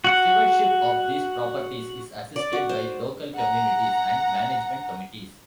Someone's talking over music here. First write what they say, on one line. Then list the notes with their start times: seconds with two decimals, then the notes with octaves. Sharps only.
Stewardship of these properties is assisted by local communities and management committees.
0.04 F#4 F#5
2.36 D5
2.53 F#4
2.69 C5
3.34 F#5 A#5